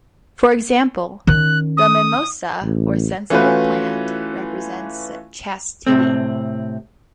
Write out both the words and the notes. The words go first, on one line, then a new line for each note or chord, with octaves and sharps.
For example, the mimosa, or sensitive plant, represents chastity.
D#3 C#4 F#6
D#6
A1
E3 A3 C#4 F4 F#4 B4
A2 C3 C4